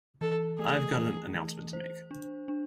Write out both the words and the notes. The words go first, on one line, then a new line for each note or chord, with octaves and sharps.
Iâve got an announcement to make.
E3 A4
A3 G#4
E3
E3
C5
D4
D4